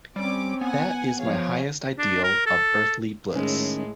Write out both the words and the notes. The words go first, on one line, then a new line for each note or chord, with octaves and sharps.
That is my highest ideal of earthly bliss.
G3 C4 C#4 D6
B3 F#5 G#5
F3 G#4 C#5 F5
D4
A#4
A4
A2 D#3 G#3 C#4